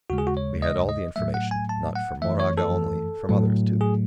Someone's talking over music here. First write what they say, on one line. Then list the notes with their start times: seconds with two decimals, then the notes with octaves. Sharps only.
We had all the information, not from Moraga only; from others, too.
0.10 D#2 C#3 G#3 F#4
0.18 G#4
0.27 F#4
0.37 C#5
0.62 D#5
0.89 D#5
1.16 A2 F#3 A3 E5
1.34 F#5
1.51 G#5
1.69 A5
1.95 F#5
2.22 F#2 E3 A3 E5
2.40 C#5
2.58 A4
3.29 A2 F#3 A3
3.81 G#4